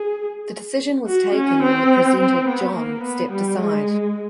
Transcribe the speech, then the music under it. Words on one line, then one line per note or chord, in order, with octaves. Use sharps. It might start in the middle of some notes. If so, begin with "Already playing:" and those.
The decision was taken when the presenter, John stepped aside.
Already playing: G#4
F#4
C#4
C4
C4
B3
A#3
B3
G3
G#3